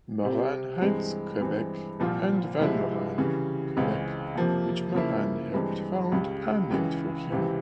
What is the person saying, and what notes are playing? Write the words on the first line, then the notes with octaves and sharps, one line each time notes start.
Morin-Heights, Quebec and Val-Morin, Quebec, which Morin help found, are named for him.
C3 G3 C4
G2 E3 G#3 C4
G2 E3 G#3 C4
C2 A#2 F3 C4 F4
C2 C3 F3 G#3 E4
C#3 E3 G3
C#2 C#3 E3 G#3 C4
F2 C3 F3 A#3
C#3 F3 A#3 E4
G2 E3 G#3 C4
C#2 C#3 G3
C#2 C#3 E3
C#2 C3 E3 G3 C4